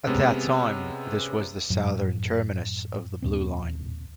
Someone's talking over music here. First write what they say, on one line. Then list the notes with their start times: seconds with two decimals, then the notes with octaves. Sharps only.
At that time, this was the southern terminus of the Blue Line.
0.07 C3 G#3 B3 C#4
1.70 F#2 A2 F#3
3.22 D#2 A#2 C4